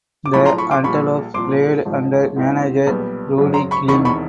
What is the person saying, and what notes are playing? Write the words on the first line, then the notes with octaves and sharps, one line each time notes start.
The Antelopes played under manager Rudy Kling.
D6
B1 A2 F3 B5 C#6
A#5 C6
B5 C#6
C6 D6
A#1 A#2 G3 B5 C#6
C2 A#2 F3 C6 D6
G#1 G#2 F3
G#2 E3 G#3 C4 D#4
B1 A#2 G3 B3
G#1 F#2 C#3 F#3
A#5 C6
B5 C#6
E1 E2 C3 D#3 B5 C#6
B5 C#6